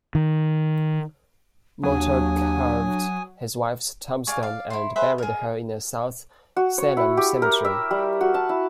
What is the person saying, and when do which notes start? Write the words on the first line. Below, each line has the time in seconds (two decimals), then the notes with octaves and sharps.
Morter carved his wife's tombstone and buried her in the South Salem Cemetery.
0.15 D#3
1.83 D#2 F#3 D4 G#5 D#6
4.27 D5 F5 G#5 C#6
4.43 D5 F5
4.70 E4 C6
4.96 G#4 B4 C5 E5
5.18 G#4 A#4
6.56 F#4
6.78 C#5
6.97 E4
7.17 G4
7.42 A#4
7.65 E5
7.91 G3
8.21 F#4
8.34 A5
8.49 E4